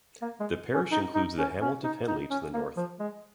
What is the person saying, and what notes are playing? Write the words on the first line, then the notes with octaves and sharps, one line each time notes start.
The parish includes the hamlet of Henley to the north.
A#3
G#3
C#4
D#4
D#4
C#4
C#4
D#4
D#4
C#4
A#3
F3
G#3